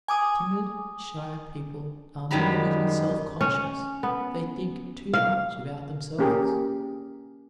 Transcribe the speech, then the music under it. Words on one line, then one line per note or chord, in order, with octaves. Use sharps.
Timid, shy people are morbidly self-conscious; they think too much about themselves.
G#5 D6 D#6
F#2 D#3 G3 G#3 A#5 B5
C#4
B3
F5
A#3 C#4 G4 G#4 A#4